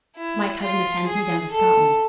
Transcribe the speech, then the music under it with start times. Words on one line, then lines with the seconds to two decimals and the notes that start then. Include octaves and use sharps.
"My cousin attends me down to Scotland."
0.16 E4
0.61 F4
1.07 G#4
1.51 A4